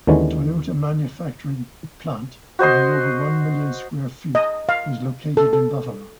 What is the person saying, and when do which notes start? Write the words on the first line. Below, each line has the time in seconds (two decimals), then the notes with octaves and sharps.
Toyota Manufacturing plant, covering over one million square feet, is located in Buffalo.
0.07 D#2 D3 E3 G#3 C#4
2.59 F#4 C5 D#5 C6
4.35 D#5
4.69 F5
5.37 A4
5.53 A4